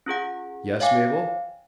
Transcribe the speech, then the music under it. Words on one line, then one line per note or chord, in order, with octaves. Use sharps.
"Yes, Mabel?"
C#4 F4 G#4 F#5
C#5 E5 F5 G5 G#5 D6